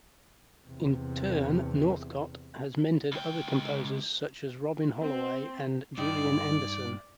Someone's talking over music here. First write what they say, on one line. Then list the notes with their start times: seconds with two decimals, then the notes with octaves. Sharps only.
In turn, Northcott has mentored other composers such as Robin Holloway and Julian Anderson.
0.68 E2 C3
3.12 C#2 G5
5.03 C4
5.98 G2 D#4 D5 G5